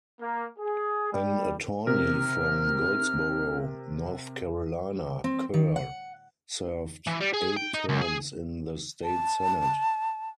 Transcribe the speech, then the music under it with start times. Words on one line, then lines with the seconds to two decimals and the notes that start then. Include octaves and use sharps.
An attorney from Goldsboro, North Carolina, Kerr served eight terms in the state Senate.
0.21 A#3
0.58 G#4
1.14 G3
1.87 C3 A#4 F6
5.24 C4
5.54 D#3
5.76 F#5
7.07 E3
7.21 G3
7.34 G#4
7.57 G5
7.74 D#4
7.89 C#2
8.01 G#4
9.04 A5